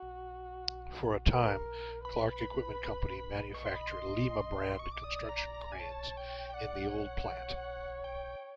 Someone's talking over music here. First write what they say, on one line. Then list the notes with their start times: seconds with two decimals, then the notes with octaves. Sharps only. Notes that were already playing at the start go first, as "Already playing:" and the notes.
For a time, Clark Equipment Company manufactured Lima-brand construction cranes in the old plant.
Already playing: F#4
1.30 A#4
2.04 B4 B5
3.54 D#5 C#6
3.65 C6
3.76 B5
3.87 C6
4.79 C#6
4.92 D6
5.04 D5 D#6
5.29 A#5
5.54 A#5
5.72 G#5
5.79 C#5 A5
6.17 G5
6.50 G5
6.54 D5 F#5
6.92 C#5
8.04 G5